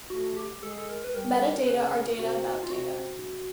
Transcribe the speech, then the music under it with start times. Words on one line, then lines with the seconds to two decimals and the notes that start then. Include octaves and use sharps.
Metadata are data about data.
0.10 A3 F#4
0.37 G4
0.63 G#3 A4
0.71 G#4
0.78 A4
0.89 A#4
1.04 B4
1.14 G3 A#4
1.67 C#3 B4
1.93 A#4
2.19 C3 F#4
2.63 F4
2.71 C3 F#4